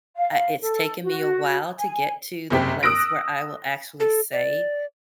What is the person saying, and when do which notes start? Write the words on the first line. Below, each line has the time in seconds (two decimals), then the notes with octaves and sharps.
uh it's taken me a while to get to the place where I will actually say,
0.15 F5
0.61 A4
1.02 F#4
1.78 G#5
2.50 F#1 C3 G4 B6
2.83 D#6 E6 F#6 A#6 D7
4.00 A4
4.33 D5